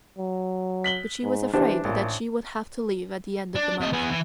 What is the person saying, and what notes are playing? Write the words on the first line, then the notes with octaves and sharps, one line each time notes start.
But she was afraid that she would have to leave at the end of the month.
F#3
B6 F#7 G7
G#2
E3 D4 G4 C5
A1 A#2
D4
C3 D#5
B3 G#4
E3